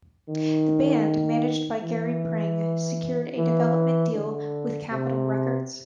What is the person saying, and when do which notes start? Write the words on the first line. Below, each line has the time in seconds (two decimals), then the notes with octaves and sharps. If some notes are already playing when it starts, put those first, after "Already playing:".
The band, managed by Gary Pring, secured a development deal with Capitol Records.
0.28 D#3
1.83 E3
3.37 E3
4.14 D3
4.91 C3